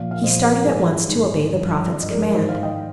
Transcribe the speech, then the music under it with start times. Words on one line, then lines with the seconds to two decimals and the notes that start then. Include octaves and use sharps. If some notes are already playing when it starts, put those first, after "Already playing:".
He started at once to obey the prophet's command.
Already playing: A#2 F3 D5 F5
0.11 F5
0.23 A#2 F3 C5 D#5
0.44 A#4 D5
0.65 G#2 D#3 G#4 C5
1.08 G#2 D#3
1.50 G2 F3
1.92 G2 F3 D5
2.01 D#5
2.10 A#4 D5
2.34 G#2 D#3 C5 D#5
2.49 D5 F5
2.63 D#5 G5